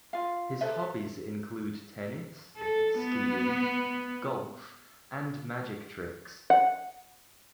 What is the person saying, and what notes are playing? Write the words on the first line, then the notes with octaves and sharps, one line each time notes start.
His hobbies include tennis, skiing, golf and magic tricks.
F4 F5
A4 B4 C5 E5
A4
B3
F#5